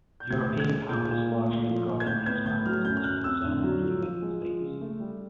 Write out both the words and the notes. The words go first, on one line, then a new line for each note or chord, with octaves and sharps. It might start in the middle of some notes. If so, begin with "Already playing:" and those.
European powers largely regarded these matters as the concern of the United States.
G6
A2 G#6
A2
G#6
G#3
A#2 G6
A#2
A3
A#2
F3
A#2
G#6
A2 G6
B3 G#6
A2 G6
F#3 F6
F#2 G6
F6
F#2 F#6
F2 E6
D3
F#3
F3
F3
G#3
F3
C#3
A3
G3